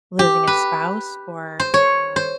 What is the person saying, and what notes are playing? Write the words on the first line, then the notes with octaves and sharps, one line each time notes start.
losing a spouse or, um,
G4
B4
C5
C#5
C5